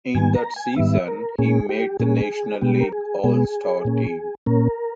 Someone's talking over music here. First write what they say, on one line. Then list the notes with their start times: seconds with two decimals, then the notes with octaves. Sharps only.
In that season, he made the National League All-Star team.
0.15 G#2 D#3 G3 B3 G#5
0.35 A#5
0.56 G#5
0.76 G#2 D#3 G3 B3 E5
1.08 A#4
1.38 A#2 A#3 C#4 G#4
1.69 G4
2.00 A#2 A#3 C#4 G#4
2.61 B2 G#3 B3 G4
2.80 A#4
2.92 G#4
3.24 B2 G#3 B3 G#4
3.85 A#2 A#3 C#4
4.46 A#2 A#3 C#4 A#4